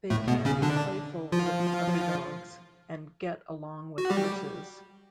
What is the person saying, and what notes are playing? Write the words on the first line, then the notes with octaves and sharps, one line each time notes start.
They can be playful with other dogs, and get along with horses.
A2 A3
B2 B3
C#3 C#4
D3 D4
F3 F4
F#4
G3 G4